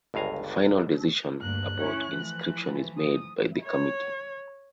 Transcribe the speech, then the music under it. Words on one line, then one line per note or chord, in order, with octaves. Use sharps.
The final decision about inscription is made by the committee.
G1 C#2 G2 F5 G#5 A#5
D2 G2 A#3 F#6
C#4 E4 C#5
E3 F3 A3
D#6
C#5